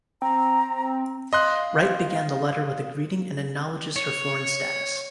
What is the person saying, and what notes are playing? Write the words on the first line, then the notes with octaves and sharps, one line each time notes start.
Wright began the letter with a greeting and acknowledges her foreign status.
C4 A#5
D#5 F5 C6 F#6
C#5